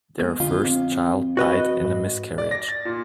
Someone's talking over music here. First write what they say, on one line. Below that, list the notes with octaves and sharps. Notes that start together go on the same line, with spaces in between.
Their first child died in a miscarriage.
G#3 B3
F2 D3 F4 F5
C4
F#4 B4 D#5
G#2
D5
A#6
A6
A#2